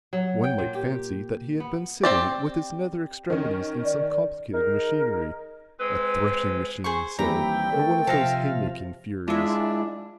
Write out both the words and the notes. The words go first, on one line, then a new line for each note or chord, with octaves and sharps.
One might fancy that he had been sitting with his nether extremities in some complicated machinery, a threshing-machine, say, or one of those hay-making furies.
F#3
G5
A#2
G4
B3
C4 G4 D5
D#3 C#4
D5
D#3 D#4 G#4 A#4
G#3 C4 B4
G#4 C5 C#6
D#2 E3 G3 C4 G4 G5 A#5 B5
A3 A4 A#4
C3 F3 F4 A4 C5 E5 F5 A#6
G#3 D4 E4 F4 E5